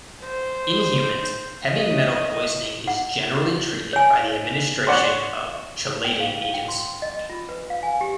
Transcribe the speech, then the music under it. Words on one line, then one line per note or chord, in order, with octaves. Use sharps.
In humans, heavy metal poisoning is generally treated by the administration of chelating agents.
C5
D#5
F#5
F#4
C#5 G#5
C#5 D5 F#5 C6 C#6
G5
F5
F5
G5
C6
D#5
F4
B4
F5
G#5
G4